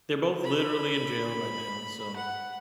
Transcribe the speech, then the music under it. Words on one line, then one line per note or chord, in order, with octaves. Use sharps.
they're both literally in jail right now, so,
B5
F#5